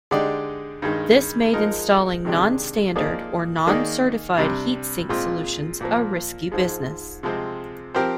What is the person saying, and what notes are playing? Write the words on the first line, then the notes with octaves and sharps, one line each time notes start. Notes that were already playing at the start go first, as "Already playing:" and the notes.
This made installing non-standard or non-certified heatsink solutions a risky business.
D3 G#3 D#4 G4 D5
G2 D#3 G#3
F3 G#3 D#4 A#4
C3 D#3 G#3 D4 G4
F3 A#3 D#4 G#4 D5
D#3 A#3 D#4 G#4 D5
C3 G3 D4
A#2 G#3 C4 F4
A#2 F3 A#3
G#2 F3 G#3
C3 F3 G#3 C4
F3 C4 G4 A#4